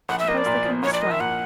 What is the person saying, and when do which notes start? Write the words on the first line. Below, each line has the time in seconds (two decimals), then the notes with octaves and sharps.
Suppose they come this way.'
0.09 A#1 F#5
0.19 E5
0.28 A#3 D#5
0.38 D5
0.46 A#2
0.65 F3
0.83 A#1 C#5
0.93 D5
1.02 A#3 D#5
1.11 E5
1.20 A#2 F#5